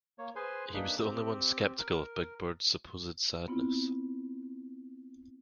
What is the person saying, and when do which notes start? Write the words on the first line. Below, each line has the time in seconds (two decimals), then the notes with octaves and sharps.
He was the only one skeptical of Big Bird's supposed sadness.
0.18 A#3 C#5
0.36 G#4 B4 C5 G#5 C6
0.74 A#3 D4 D#4 G#4 B4 B5
0.99 C4 G4
1.78 A#4
3.48 B3 C4 E4 F4